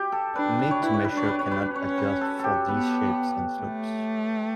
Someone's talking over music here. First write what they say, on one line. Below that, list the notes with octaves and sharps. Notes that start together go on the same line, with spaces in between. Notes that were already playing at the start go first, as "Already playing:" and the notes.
Made-to-measure cannot adjust for these shapes and slopes.
Already playing: G4
A4
D4 B4
B4
C#5
E4 B4
C#5
B4
D4 C#5
B4
C#5
D4
B4
C#4 C#5
B4
A4
G4 A4
B3 B4
A3